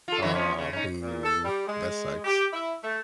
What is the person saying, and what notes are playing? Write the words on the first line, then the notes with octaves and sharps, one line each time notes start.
Aw, boo. That sucks.
F4 A4
D3 E3 F#3
F3 C#4
C#3
C#4 D#4
A#2
A4
G3
G#3
G4
E4
A3